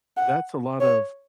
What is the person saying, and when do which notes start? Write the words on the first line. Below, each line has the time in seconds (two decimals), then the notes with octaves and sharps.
that's a lot of
0.17 F#5
0.81 C#5